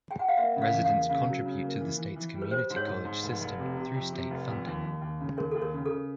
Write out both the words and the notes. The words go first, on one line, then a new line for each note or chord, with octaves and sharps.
Residents contribute to the state's community college system through state funding.
G5
F#5
F5
A#3 E5
C#3
F5
E2
F5
A#3
C#3 F5
F#3
C#3
A#3
E3
E3
E3
G3
B4
G3 C5
G#2
C#5
G#2
G#2
F1
F1
C3
C3
F2
C3
F1
F2
D#2
D#2
D#2
C#3
D#2 A#4
D#2 A4
A#4
C#3
A4
C#3